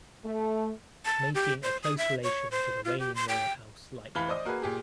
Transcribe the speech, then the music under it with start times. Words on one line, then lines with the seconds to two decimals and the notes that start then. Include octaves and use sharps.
Making a close relation to the reigning royal house likely.
0.25 A3
1.05 A5
1.35 G4
1.63 C5
1.83 D#6
1.98 E5
2.24 C#5
2.51 C5
2.85 F4
2.99 G4
3.15 C6
3.29 G5
4.15 F1 E3 F5 B5 G7
4.28 C5 D5 D#5 D#6
4.45 A#3 F#4 G#4 B4
4.62 A#2 G4 G#4